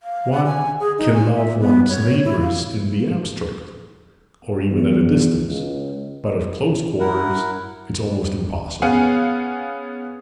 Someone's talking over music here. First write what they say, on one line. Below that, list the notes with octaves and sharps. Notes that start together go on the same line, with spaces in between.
One can love one's neighbors in the abstract, or even at a distance, but at close quarters it's almost impossible.
F5
F#5
G#5
G#4
D#4
G#5
E5
B3
C#5
E4
F5
E2
C#2
E4 A#4 F#5
B3 C#4 G#4 F5 F#5 G#5